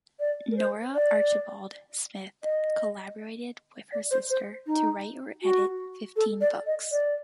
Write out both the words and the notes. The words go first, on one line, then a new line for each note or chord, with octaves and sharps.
Nora Archibald Smith collaborated with her sister to write or edit fifteen books.
D5
A#4
C5
D5
D#5
D5
C5
C5
D#4
F#4
A4
D5
D#5
D5